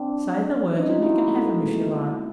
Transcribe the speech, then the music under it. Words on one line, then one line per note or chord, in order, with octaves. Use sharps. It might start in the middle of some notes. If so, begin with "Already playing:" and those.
"Say the word, and you can have them, if you like."
Already playing: C4 D4
C#4 D#4
D#4 F4
E4 F#4
A3 B3
G#3 A#3
A3
G#3